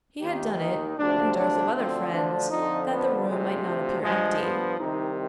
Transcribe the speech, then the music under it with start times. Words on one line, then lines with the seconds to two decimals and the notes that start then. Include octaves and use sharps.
He had done it, in dearth of other friends, that the room might not appear empty.
0.21 D#2 D#3 G4
0.60 D#4
0.97 D2 C3 F3 D4
1.37 D4
1.73 D2 D3 F3 C4
2.12 D4
2.50 F2 D3 F3 D#4
2.89 B3
3.27 D2 C3 F3 G#3
4.03 G2 F3 G#3
4.40 B3
4.78 C2 C3 D#3 D#4